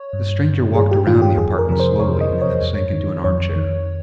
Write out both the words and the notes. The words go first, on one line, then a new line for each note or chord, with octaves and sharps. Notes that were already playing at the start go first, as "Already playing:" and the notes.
The stranger walked around the apartment slowly, and then sank into an armchair.
Already playing: C#5
G2
D#3
G2 G#4
G4
D#3 F4
G4
F2 G#4
A#4
C3 F3 A#4
C5
F2 C#5
D#5
C3 F3
C#5
F2
D#3
F2 C#5
D#3